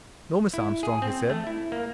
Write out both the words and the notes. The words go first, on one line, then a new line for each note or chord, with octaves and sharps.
"No, Miss Armstrong," he said.
E4
G#4
C4
A3
E4
A#3